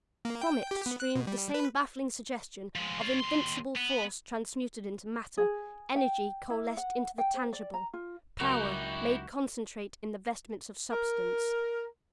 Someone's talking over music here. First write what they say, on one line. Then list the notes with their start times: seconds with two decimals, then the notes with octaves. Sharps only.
From it streamed the same baffling suggestion of invincible force transmuted into matter; energy coalesced into the tangible; power made concentrate in the vestments of substance.
0.25 A#3
0.41 G5
0.71 G4
0.86 B3
1.00 F#6
1.15 B2
1.27 G3
1.54 B4
2.75 F3 G#3
3.01 F4 C#5
3.20 D#2 C6
3.77 B3
5.37 G#4
5.96 G5
6.50 E4
6.77 F#5
7.18 G5
7.34 C5
7.53 D5
7.74 A#5
7.94 F4
8.40 C#2 F#3 D#4 E4 F#4 G4 A#4
10.92 A#4